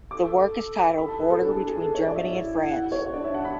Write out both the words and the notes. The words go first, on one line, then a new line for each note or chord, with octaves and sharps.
The work is titled "Border between Germany and France".
A4 D6
A4 B5
A5
G#4 B4
A4
D4 A4
G#4
G#4
A4
C#5
D5
E5
G#4
E4
F#5
C#5
D4 D5
E4 E5
D4 F#5
B5